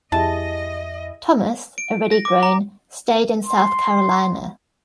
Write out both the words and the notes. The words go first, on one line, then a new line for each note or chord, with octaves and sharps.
Thomas, already grown, stayed in South Carolina.
F2 E4 G4 G#4 D#5 A5
D7
A#6
D6
A#5
C6